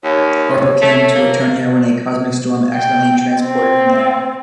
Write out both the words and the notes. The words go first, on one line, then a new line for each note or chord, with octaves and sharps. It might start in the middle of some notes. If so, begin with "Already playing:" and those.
Orko came to Eternia when a "cosmic storm" accidentally transported him there.
D#2 C#5
A3
A#3
G5
C4